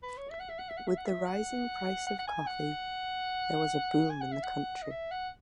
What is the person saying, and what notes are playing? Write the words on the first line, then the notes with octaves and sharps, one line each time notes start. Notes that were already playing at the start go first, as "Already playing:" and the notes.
With the rising price of coffee, there was a boom in the country.
B4
C#5
E5
F#5
E5
F#5
E5
F#5
E5
F#5
E5
F#5
F#5
F#5
G#5
F#5
G#5
F#5
E5
F#5
D#5
E5
F#5